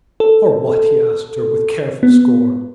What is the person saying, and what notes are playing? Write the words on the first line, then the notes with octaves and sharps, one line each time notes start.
For what, he asked her, with careful scorn.
A4
B3